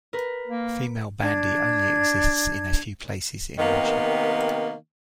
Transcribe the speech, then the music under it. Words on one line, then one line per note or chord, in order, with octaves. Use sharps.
Female bandy only exists in a few places in Russia.
A#4 B4
A#3
D4 G#6
C3 D#3 A#3 B3